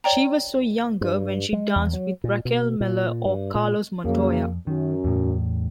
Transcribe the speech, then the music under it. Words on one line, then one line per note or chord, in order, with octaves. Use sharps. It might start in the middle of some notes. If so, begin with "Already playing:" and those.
She was so younger when she dance with Raquel Meller o Carlos Montoya.
C#5 D5 G5 A#5
G2
G#3
E2
F#3
A#2
B2
A#2
G2
A#2
F2 C#3 F#3 A#3
F#2 D#3
E2 A2